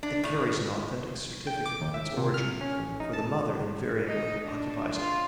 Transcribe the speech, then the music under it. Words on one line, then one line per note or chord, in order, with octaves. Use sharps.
It carries an authentic certificate of its origin, for the mother invariably occupies it.
D4
A2
G5
D6
D#2
E5
C3
F6
C#4
A1
D#4
A5
D#4
D4
F4